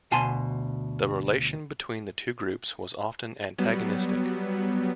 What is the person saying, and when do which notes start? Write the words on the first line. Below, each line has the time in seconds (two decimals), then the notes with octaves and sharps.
The relation between the two groups was often antagonistic.
0.11 D2 B2 F5 G#5 A5 C6
3.58 F#3 G3 B3